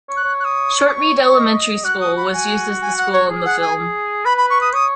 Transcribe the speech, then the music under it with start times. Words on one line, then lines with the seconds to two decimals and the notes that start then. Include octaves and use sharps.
Shortreed Elementary School was used as the school in the film.
0.09 C#5
0.16 F#6
0.24 C#5
0.40 F#6
0.44 D#6
0.88 D#6
0.92 C#6
1.37 D#5
1.84 F#4 F#6
2.00 D#6
2.16 B5
2.33 G#5
2.81 G#5
2.97 F#5
3.12 C#5
3.29 G#4
3.45 F#5
3.61 G#5
4.25 B4 B5
4.37 B5
4.50 C#6
4.61 D#6
4.73 C#5 D#6